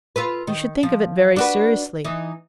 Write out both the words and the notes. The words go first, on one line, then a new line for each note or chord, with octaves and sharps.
You should think of it very seriously.
F4 A4 B4
D#3
F3
D4 F#4 B4
E3 D#4